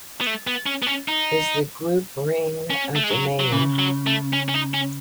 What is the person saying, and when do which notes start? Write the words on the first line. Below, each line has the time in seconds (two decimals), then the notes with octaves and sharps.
Is the group ring a domain?
0.21 B3
0.27 A3
0.47 B3
0.66 C#4
0.82 B3
0.87 C#4
1.08 D#4
2.70 C#4
2.96 A3
3.04 G#3
3.11 F#3
3.40 F#3
3.52 C#3 E3
3.79 F#3
4.07 A3
4.33 C#4
4.49 C#4
4.54 D#4
4.74 C#4